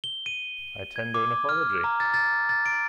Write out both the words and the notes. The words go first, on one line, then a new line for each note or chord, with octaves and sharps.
I tender an apology.
G7
D#7
G#6
D6
F6
A#5
A6
A6
A6
D7